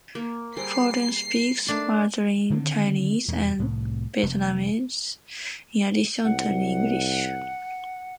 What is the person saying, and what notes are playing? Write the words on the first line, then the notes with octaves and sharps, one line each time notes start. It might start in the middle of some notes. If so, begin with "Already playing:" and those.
Forden speaks Mandarin Chinese and Vietnamese in addition to English.
A#3
G3 G#4 A#4 C5 C7
A3 A#3 D4 D#4
D3 D#3 C4
E2 B2 G#3
C2 A2
F1
C2 F#5